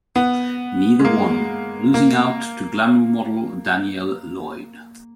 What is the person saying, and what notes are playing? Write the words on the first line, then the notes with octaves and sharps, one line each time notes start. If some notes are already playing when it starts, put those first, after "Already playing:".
Neither won, losing out to glamour model Danielle Lloyd.
B3
G#3
A#3
A#3